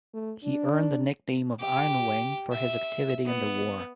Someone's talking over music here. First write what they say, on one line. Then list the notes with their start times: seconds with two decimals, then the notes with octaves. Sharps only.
He earned the nickname of "Iron Wing" for his activity in the war.
0.14 A3
0.44 D4
1.60 G4
2.52 E5
3.26 B3